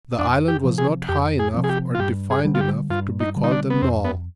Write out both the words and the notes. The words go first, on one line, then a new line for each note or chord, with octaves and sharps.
The island was not high enough or defined enough to be called a knoll.
F2 D4
G4
C3 F3 C4
G#4
F2 G4
G#4
C3 F3 C4
G#4
G4
F4
G2 G4
G#4
D3 G3
F4
G4
G2 F4
D#4
D3 G3
D#4
D4
B3
F2 C4
B3